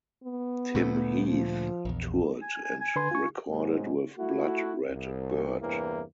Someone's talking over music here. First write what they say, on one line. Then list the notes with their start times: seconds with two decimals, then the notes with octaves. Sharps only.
Tim Heath toured and recorded with Blood Red Bird.
0.24 B3
0.75 D2 A#2 A3
1.27 F3
1.85 A#1 E2
2.42 G#5
2.64 G#5
2.81 G#5
2.96 D3 B4 C6
3.11 F4 C#6
3.49 G#2 C3 F#3 G#3
4.19 A3 E4 F#4
4.90 C2
5.61 E2 G2 C3 E3 A#3